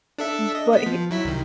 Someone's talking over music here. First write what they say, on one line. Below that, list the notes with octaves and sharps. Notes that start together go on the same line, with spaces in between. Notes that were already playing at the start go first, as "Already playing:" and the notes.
Mm But he
D4 A4 E5
D#5
B3 B6
F3
F#3 E4 B6
C2 D#3